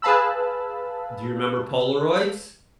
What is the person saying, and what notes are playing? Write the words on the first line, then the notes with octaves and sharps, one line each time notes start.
Do you remember Polaroids?
G#4 B4 F5 A5 B5 E6